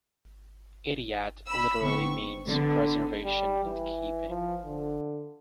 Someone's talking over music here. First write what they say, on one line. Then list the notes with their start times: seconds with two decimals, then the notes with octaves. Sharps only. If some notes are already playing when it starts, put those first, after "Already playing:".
Ihtiyat literally means preservation and keeping.
1.48 B5 E6
1.81 D3 B3 C4 C#6
2.47 D3 B3
3.25 G3
3.64 E3
4.29 F3
4.65 D3